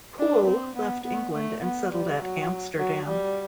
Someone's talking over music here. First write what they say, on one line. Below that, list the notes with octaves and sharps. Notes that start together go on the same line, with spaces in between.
Poole left England, and settled at Amsterdam.
D4
C4
B3
B3
A3
B3
G3
F#3
F#3
G3